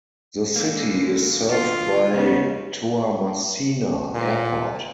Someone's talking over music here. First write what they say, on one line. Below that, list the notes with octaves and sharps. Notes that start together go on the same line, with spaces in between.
The city is served by Toamasina Airport.
D3 G#3 A#3
F4
C#3 B3 D#4
A#2